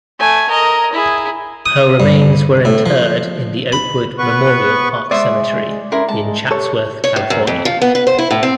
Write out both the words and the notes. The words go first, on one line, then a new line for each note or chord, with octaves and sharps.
Her remains were interred in the Oakwood Memorial Park Cemetery in Chatsworth, California.
A3 G#5
A#4 D#5
E4 G#4
D#6
G2
A2
F3
B5
B3 B4 C#6
G#3 C5 D5 E5 D#6
C#4 E4 A#4 C6
G#3 A5
G4 A4 C#5
C#5
A2
F#2
F2
F3
B3
B4
C5
E4
A2
C4